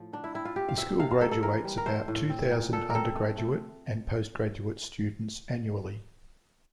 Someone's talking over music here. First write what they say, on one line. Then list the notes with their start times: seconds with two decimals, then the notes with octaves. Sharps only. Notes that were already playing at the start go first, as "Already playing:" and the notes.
The school graduates about two thousand undergraduate and postgraduate students annually.
Already playing: A2 F3
0.13 D3 D4
0.24 E4
0.34 C4 E4
0.45 F4
0.56 C4 G4
0.69 F5
0.77 A#2 E5
0.99 C3 F5
1.11 F5
1.21 A#3 A4
1.31 A4
1.43 E3 A#4
1.64 G3
1.77 A#4
1.86 A3 C5
2.08 A2
2.30 C4
2.51 A#2
2.73 A#2 A4
2.90 C4 A4 A#4
3.16 A3
3.38 A3